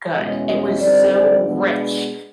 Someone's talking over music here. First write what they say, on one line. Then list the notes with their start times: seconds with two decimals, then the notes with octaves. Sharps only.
good. It was so rich,
0.14 E2 B2 G#3 C#4 D#5
0.47 D#5
0.80 F2 D3 G3 C4 D#4 D5
1.12 D5
1.45 B2 G#3 B3 D4